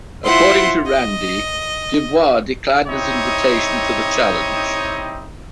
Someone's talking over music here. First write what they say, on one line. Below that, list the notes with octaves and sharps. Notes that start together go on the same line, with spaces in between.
According to Randi, DuBois declined his invitation to the challenge.
E4 F4 C5 F#5 C6
D#5
C4 D#4 E4 G4 C#5 D#5